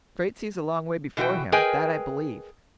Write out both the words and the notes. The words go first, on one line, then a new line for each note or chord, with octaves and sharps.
The Frate sees a long way before him; that I believe.
B2 E3 F#4 B4 G5
G#4 A#4 B4 D#5 G5 G#5